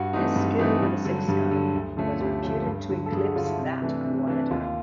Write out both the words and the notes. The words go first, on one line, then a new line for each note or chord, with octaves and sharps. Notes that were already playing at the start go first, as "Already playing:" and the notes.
His skill with a sixgun was reputed to eclipse that of Wyatt Earp.
Already playing: G2 F#4
E3 A3 C4 D#4
G2
E3 A3 C4 D#4
G2
D3 F#3
G2 G4
D3 F#3
D2
D3 F3 A3 C#4
D2 G4
D3 F3 A3 C#4
G2
D3 F#3
A4
G2 G#4
F#4
D3 F#3 F4
E4
C3
E3 A3 D4
C3
E3 A3 D4
D#2 F4